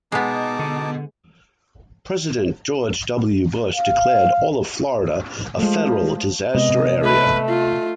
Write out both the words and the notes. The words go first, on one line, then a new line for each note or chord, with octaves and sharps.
President George W. Bush declared all of Florida a federal disaster area.
B2 G#3 B3 D#4 A5 D6
D3
F5
F3 G#3 A3
C3 G#3 B3 D#5
A3 B4
F4